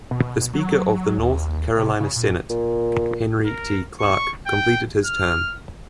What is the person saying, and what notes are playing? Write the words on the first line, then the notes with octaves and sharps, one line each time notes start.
The Speaker of the North Carolina Senate, Henry T. Clark, completed his term.
B2
F#3
D#2
C3
C#3
A#2
A#2
A#4
C#6
G5
F6